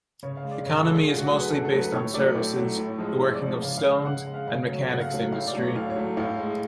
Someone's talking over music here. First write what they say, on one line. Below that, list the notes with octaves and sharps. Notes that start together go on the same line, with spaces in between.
Economy is mostly based on services, the working of stones, and mechanics industry.
C#3 C#5
F5
G#3
D5
C#3 C#5
A4
G#3
G#4
D3 F4
F#4
F#3 A3 G#4
B4
D3 A4
A4
F#3 A3
B4
A2 C#5
F#3 A3 D5
A2
F#3 A3
A2
F3 G#3
A2 C#5
D5
F3 G#3
C#3 F5
F5
G#3
F5
C#3 F#5
G#3
F5
C#3 F5
F#3 A3
C#5
C#3 F#5
F5
F#3 A3
A2 F5
D5
F#3 A3
C#5
A2 F5
C#5
F#3 A3
A2 F5
G#3